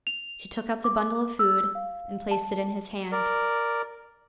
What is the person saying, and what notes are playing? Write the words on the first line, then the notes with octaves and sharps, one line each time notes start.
She took up the bundle of food and placed it in his hand.
F7
D6
E6
F5
A5
A#4 D5